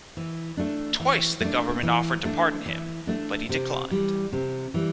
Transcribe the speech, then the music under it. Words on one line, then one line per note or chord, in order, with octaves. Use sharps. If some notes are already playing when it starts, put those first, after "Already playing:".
Twice the government offered to pardon him, but he declined.
E3
A3 D4
E3
A3 D4
E3
A3 D4
E3
A3 D4
C3
E3 G3
C3
E3 G3